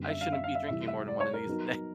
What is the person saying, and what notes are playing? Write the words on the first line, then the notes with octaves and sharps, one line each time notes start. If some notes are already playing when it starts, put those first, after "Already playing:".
I shouldn't be drinking more than one of these a day."
Already playing: F#2 D3 G3 B3
E5
F5
E5
F5
E5
C3 E3 G3 C4 E4 E5
E5
D5
C#5
A#4
F#3 B3 D#4 F#4